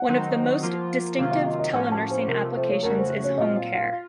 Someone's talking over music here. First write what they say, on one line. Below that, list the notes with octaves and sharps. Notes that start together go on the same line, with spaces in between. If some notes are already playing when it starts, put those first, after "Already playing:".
One of the most distinctive telenursing applications is home care.
Already playing: F#5
D#3 F#3 C4 D#4 F#4
F3 A#3 F4
C3 D#3 F#3 A#3 F4 F5
F5
D#5
D#5
A2 F3 A#3 C#4 F#4 F#5
A5
C5
C3 F3 A3 A#4
C5
C#5
F2 C#3 A3 C#4 F#4 A#4
C5
C#5
A#2 F#3 C4 F4 D#5
F5
F5
F4